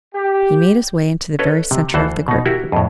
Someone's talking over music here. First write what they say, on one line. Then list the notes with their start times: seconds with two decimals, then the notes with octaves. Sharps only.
He made his way into the very centre of the group.
0.13 G4
1.39 C#4 A4 B4 C#5 D#5
1.71 C3
1.94 D2 E3 A4 C5 F#5 A5
2.28 B2 D#4
2.46 E4 F#4 G4 A#4
2.72 F2 A2